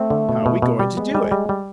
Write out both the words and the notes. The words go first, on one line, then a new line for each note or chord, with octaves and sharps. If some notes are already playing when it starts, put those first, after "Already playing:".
"How we goin' to do it?"
Already playing: A3 C4
D3
B2
B2
B2
G3
G#3 B3
G3
G3
G3